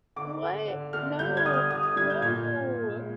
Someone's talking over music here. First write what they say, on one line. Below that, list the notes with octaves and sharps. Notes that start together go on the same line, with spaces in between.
What? No. No, no.
D3 D6
D3
D3
D3 F6
G3 G6
G#6
D3 D#6
F6
D3 D#6
D#6
G3 G#6
G6
A#2 G#6
A#2
A#2
G#3